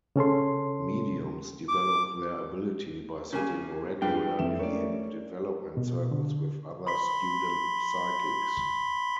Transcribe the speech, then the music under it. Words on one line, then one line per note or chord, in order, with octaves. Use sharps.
Mediums develop their ability by sitting regularly in "development circles" with other student psychics.
C#3 C#4 A4 C6
D6
C#3 A#3 G#5
G2 F4 G4 G#4 B4 F5 G5
F2 E5 E7
A3 C#4 A#4 C#5 D5
B2
D3
B5 C6 B6